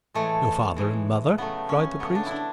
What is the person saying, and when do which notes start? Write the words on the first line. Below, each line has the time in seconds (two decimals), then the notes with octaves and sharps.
"Your father and mother?" cried the priest.
0.14 A2 E3 G#3 A3
0.76 A2 E3 G#3
1.38 C#3 F#3 A3 B3
1.69 C#4
1.99 C#3 F#3 A3 B3
2.15 D4
2.26 D4 E4